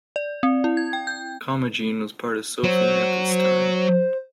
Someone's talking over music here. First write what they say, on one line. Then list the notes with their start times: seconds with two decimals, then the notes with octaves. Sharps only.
Commagene was part of Sophene at this time.
0.16 D5
0.43 C4
0.64 E4
0.77 G#6
0.93 G5
1.07 G6
2.64 F#3 C5